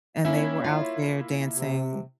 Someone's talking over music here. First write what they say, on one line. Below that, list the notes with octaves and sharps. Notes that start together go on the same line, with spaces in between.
and they were out there dancing
A#3 C#4 E4 C#5 E5
F4
C3